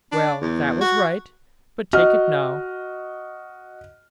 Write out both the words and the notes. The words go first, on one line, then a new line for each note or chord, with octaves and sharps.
Well, that was right, but take it now.
D4
E2
F#4
F#4 D#5 F6